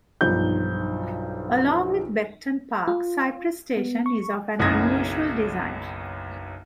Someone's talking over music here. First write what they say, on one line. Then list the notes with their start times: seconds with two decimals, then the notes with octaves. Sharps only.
Along with Beckton Park, Cyprus station is of an unusual design.
0.21 B1 G2 F3 D#4 G6
2.88 F4
3.77 B3
4.06 C#6
4.59 F#1 B1 F#2 D#6 G#6 A#6